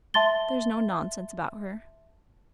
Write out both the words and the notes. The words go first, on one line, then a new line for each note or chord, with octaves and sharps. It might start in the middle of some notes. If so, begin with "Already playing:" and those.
"There is no nonsense about her."
E5 A5 C6 A6 G7